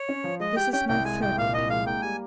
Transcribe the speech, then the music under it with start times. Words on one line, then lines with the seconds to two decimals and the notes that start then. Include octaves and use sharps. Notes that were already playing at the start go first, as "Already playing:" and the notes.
This is my third attempt.
Already playing: C#5
0.09 C#4
0.24 F3
0.40 G#3 D#5
0.56 G4 G5
0.73 C#4 G5
0.89 C2 G5
1.05 G#3 G#5
1.21 C2 G5
1.37 A#2 F5
1.53 C2 D#5
1.70 G#3 F5
1.86 A#3 G5
2.02 G3 G#5